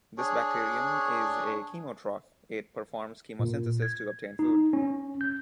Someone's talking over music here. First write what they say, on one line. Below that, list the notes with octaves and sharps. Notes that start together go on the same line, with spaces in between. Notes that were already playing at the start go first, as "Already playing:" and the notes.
This bacterium is a chemotroph-it performs chemosynthesis to obtain food.
D4 G#4 C#5
A#2
G#6
D#4
C#4
G6